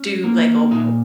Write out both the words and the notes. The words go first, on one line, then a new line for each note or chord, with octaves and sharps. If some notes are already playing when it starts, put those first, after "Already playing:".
do, like, o b
Already playing: C#4
A#3
A#2 D#4